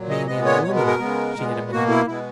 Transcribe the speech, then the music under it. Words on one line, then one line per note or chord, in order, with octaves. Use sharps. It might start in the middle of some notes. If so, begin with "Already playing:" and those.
"Man and woman," she had amended.
Already playing: A#2 F#3
D#5
A#2 G#3 B3 D#5
C#5
B2 G#3 B3 C#5
A#4
A#4
C#3 G#3 B3
A#2 G#3 B3
B2 A#3 F#4
E4
B2 G#3 B3 E4